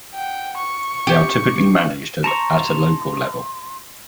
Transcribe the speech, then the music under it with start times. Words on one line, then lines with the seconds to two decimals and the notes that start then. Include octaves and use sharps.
They are typically managed at a local level.
0.15 F#5 G5
0.57 C#6
1.07 G4
2.24 A5 A#5 C6 C#6